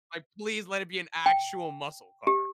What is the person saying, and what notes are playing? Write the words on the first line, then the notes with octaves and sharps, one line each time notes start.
Like, "Please let it be an actual muscle car."
G5
G4